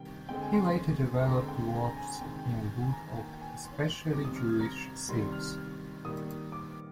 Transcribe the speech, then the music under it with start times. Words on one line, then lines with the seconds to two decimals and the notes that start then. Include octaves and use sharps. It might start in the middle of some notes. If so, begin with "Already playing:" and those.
He later developed works in wood of especially Jewish themes.
Already playing: C3 D#3 G3 G5
0.29 D3 G#3 C4 G5
0.41 G#5
0.53 C6
0.65 C6
1.20 C6
1.24 D3 G#3 C4 A#5
1.48 G5
1.73 G#5
1.84 A#5
1.97 G#5
2.09 G5
2.21 C3 D#3 G#3 C4 G5
2.81 G#5
2.93 A#5
3.05 G#5
3.17 D#3 A#3 G5
3.33 G5
3.41 G#5
3.64 C6
4.13 C3 D#3 G3 C4 D6
4.25 D#6
4.36 F6
4.49 G#6
4.61 A#5
5.09 C3 D#3 G3 C6
5.32 F6
6.05 D#3 G3 A#3 D#6
6.52 D6